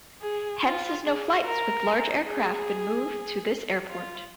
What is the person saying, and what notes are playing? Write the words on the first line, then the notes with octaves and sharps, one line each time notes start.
Hence has no flights with large aircraft been moved to this airport.
G#4
F4
G#4
A#4
G#4
F4